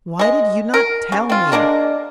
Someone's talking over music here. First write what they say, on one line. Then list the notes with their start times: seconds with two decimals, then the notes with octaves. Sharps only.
"Why did you not tell me?"
0.19 G#3 D#5
0.74 A#4
1.12 C#3
1.30 C4 F4
1.52 G#3 A#3 D4 A#4